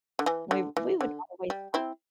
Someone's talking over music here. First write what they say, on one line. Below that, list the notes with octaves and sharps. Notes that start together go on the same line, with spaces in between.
we we would always, uh
D3
E3
D3
E3
D3
G3
C4 E4